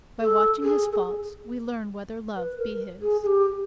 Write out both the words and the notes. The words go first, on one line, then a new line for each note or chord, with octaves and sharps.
By watching his faults we learn whether love be his.
A4
G#4
A4
G#4
B4
A#4
G#4
G#4
G4